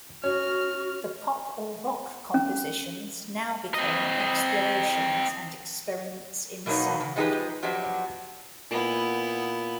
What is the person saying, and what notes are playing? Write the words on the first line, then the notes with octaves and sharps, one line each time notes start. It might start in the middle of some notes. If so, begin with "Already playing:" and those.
The pop or rock compositions now became explorations and experiments in sound.
C#4 F#4 F6
C#4
C4 D#5
B2 F#3 A#3 B3 D#4 C#5
C#3
F3 G#3 D#4 G4 G#4 B4
F3 F#3 B3 D4 G4 D#5
A#2 B3 E4 F#5